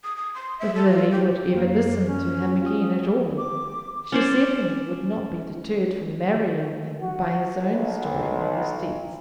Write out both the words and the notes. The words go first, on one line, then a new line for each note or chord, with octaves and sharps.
If Lily would ever listen to him again at all, she certainly would not be deterred from marrying him by his own story of his debts.
D#6
D#6
C6
E5
A4
F4
G4
F#2 A#3
C#4
F4 G4 D#6
D6
C#4 C5 D5
F#4
B1